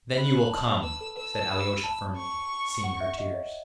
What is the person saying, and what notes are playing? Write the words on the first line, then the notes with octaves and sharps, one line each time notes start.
"Then you will come," said Alyosha firmly, seeing her tears.
B5 F#6
A5
B4 E6
A4
B4 E6
A5
B5
A5
C#6
F#5
E5
D#5
C#5